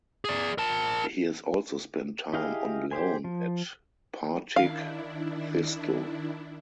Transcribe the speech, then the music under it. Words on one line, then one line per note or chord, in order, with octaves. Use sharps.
He has also spent time on loan at Partick Thistle.
G#4 D5
A#4 A5
E4 G4 G#4 D#5 F5
G4 C5 G#5
F3
D#3 D4 E4 F5